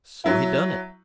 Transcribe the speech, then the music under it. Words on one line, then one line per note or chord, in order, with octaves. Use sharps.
So he done it.
F#3 E4